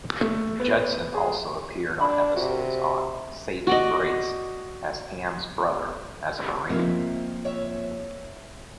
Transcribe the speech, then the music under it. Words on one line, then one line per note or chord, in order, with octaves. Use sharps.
Judson also appeared on episodes on "Saving Grace" as Ham's brother as a Marine.
A3
B3
G#4
D4 B5
C3 F#4
F#4 D5 D#5
F3 A#3 C4 D#4 F4 E5
C#5 E5